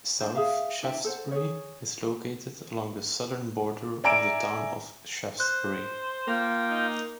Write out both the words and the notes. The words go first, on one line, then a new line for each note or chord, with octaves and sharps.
South Shaftsbury is located along the southern border of the town of Shaftsbury.
D4 C5
G#4 E5 F5
D4 E4 E5 G5
A4 C5 F#5
G#4 C#5
D5 E5 G#5 A#5 E6 D7
C5 F#6
A#3 F4 G5
D#4